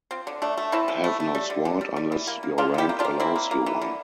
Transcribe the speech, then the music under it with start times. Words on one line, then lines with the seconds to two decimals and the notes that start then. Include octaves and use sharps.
Have no sword unless your rank allows you one.
0.11 F3 C4
0.27 D3
0.42 A3 D4
0.58 A3
0.72 E3 C4 E4
0.88 E3
1.04 A3
1.20 A3
1.35 G3
1.50 D3
1.65 D3
1.81 G3
1.96 G3
2.12 E3
2.27 A#3
2.43 A#3
2.58 D3 D4 F4
2.74 D3 E4 G4
2.89 A#3
2.99 D4 F4
3.05 A#3
3.20 A#3 C4 E4
3.36 A#3
3.51 A#3
3.66 E3
3.82 D3